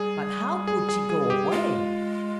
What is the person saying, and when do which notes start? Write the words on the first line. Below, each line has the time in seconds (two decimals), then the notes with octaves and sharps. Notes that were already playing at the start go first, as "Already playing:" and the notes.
But how could he go away?
Already playing: G3 G#4
0.67 G#4
0.89 G#4
1.10 G#4
1.30 G4
1.51 G#3 F4